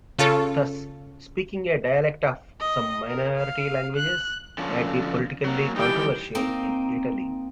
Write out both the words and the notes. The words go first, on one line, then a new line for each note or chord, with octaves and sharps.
Thus, speaking a dialect of some minority languages might be politically controversial in Italy.
C#3 F4 A4 C#5
D#5
A#4
F5
F#6
D3 F3 C#4
F#3 A#3
E3 G3 D#4 G4 G5
A#3 C4 D#4